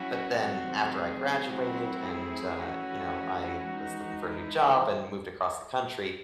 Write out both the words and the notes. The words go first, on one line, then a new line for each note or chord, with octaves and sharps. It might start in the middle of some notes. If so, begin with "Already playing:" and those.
but then after I graduated, and, uh, you know, I was looking for a new job, and moved across the country,
Already playing: F#3 C#4 E4 F#4
C3 D#3 F#3 A3 C4 F#4
G#4
F#3 A3 C4 E4 F#4
G#4
E3 A3 C#4 E4 F#4
E3 G#3 D#4
E4